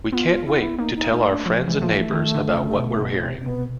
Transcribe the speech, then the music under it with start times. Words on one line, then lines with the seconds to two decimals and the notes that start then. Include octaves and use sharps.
We can't wait to tell our friends and neighbors about what we're hearing.
0.12 B3 F4
0.45 E4
0.57 B3
0.79 A#3 D#4
0.95 D#4
1.11 A3 D#4
1.28 D4
1.46 F3
1.58 F3
1.68 E3 G#3
1.79 F3 A3
1.89 E3
2.13 D#3
2.35 D3
2.56 C#3
2.79 B2
3.02 B2
3.24 C3
3.41 C4
3.46 B2 B3